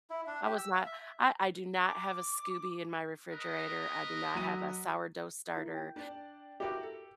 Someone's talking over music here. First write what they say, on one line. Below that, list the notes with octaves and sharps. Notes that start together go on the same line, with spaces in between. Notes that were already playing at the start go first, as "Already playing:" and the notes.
I was not I I do not have a SCOBY in my refrigerator; I do not have a sourdough starter,
E4
D4
G4
E6
F5
E5
D6
A#4 B4 D#5
F#3 D#7
E4 A#4
G5
D4 D5
E4 F#4 G4 A#4
A4